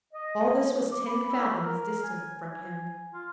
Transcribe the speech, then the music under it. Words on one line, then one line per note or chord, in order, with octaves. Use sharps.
All this was ten fathoms distant from him.
D#5
D6
B5
E4
A#4
G#5
G#5
F4